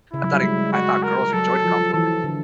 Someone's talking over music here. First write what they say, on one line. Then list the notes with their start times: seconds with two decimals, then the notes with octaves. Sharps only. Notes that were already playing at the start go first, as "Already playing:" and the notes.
I thought in I thought girls enjoyed compliments.
0.13 C#3 E4
0.23 F#3
0.33 G3
0.44 G#3
0.58 G#3
0.73 F#4
1.03 A#4
1.33 F#3 A4
1.64 F3
1.93 E3 A4
2.24 D3